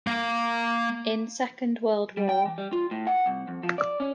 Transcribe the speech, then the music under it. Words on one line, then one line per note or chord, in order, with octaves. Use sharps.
In Second World War.
A#3 F5
G3
G5
E3
G3
F4
A2
F#5
C2
F2
F3
D5
C#4